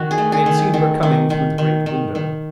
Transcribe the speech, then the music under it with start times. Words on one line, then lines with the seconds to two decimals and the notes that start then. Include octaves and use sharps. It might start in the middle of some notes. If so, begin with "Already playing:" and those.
I had seen her coming through the great window.
Already playing: D#3 F#4
0.11 G#4
0.18 A3
0.32 G#4
0.46 D#3
0.74 D#3
1.03 D#3
1.30 D#3
1.58 D#3
1.86 D#3
2.15 D#3